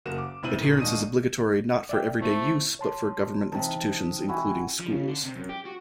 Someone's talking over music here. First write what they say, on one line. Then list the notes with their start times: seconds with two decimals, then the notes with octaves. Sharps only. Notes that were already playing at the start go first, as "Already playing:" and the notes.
Adherence is obligatory not for everyday use but for government institutions including schools.
0.05 F#1 A#3 F#4 E7
0.18 D6
0.43 E1 C4 E4 D#7 F#7
0.60 D#1 D#3
0.80 D#2 G#2 D4 D#5 D#6 D#7
1.89 D5 E5 G5
2.22 A3 C4 E4 C5
2.79 C#5 A5 C6
3.52 C3 E3 D#4 A5
4.29 E4 F#4 G#5
4.79 F3
4.91 C#3
5.07 D3
5.24 C3
5.36 F#2
5.49 G4
5.65 F#4